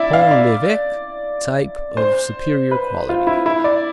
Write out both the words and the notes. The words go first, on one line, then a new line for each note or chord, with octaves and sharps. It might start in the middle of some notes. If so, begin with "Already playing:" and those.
Pont l'Eveque type of superior quality.
Already playing: E4 D5 E5
F5
D5
C5
B4
F4
E4
E4
D5